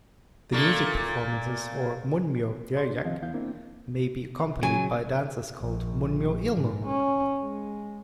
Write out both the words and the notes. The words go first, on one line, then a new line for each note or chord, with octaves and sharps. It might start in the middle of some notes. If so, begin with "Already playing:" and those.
The music performances or "munmyo jeryeak" may be accompanied by dances called "munmyo ilmu".
A#2 A3 A#3
C#5 D5 C6
D4
F2 D#3 F3 C4 D#5 F5
D#2 E3 B3 E4 F5 G6
A#3 C4 D4 E4
C#3 F#3 G#5
A#1
G#2
C#4
G#3